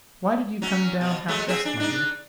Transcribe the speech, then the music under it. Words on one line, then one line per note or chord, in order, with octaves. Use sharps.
"Why did you come down half-dressed, my dear?"
F#3 C#4
B2
F#3 G#3 A3
C4 G#4 E5
D4
D4 D#4